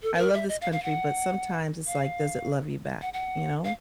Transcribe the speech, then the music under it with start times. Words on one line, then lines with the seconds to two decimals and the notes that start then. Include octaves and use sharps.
I love this country, but sometimes it's, like, does it love you back? You know?
0.03 A4
0.14 B4
0.18 A#4
0.34 E5
0.49 D#5
0.61 F5
0.72 F5
0.83 F#5
1.87 F5
3.02 F#5
3.13 F#5
3.65 F5